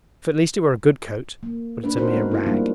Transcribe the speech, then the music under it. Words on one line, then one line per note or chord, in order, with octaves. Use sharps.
'If at least it were a good coat, but it's a mere rag.'
A#3
A#3 D4 B4
A#3 C4 D#4 F#4 A#4 C5
G#3 B3
E4 F4
G3 A#3 D4